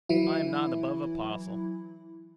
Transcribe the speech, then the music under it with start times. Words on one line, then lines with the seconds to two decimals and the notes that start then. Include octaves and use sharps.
'I am not above a parcel.'
0.09 E3 F#3 E4